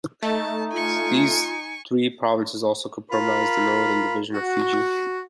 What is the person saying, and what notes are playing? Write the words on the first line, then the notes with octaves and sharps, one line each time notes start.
These three provinces also comprise the Northern Division of Fiji.
A3 D#4 D#5 A5
F4 G#5 C#6
F4 A#4 F5 B5
F#4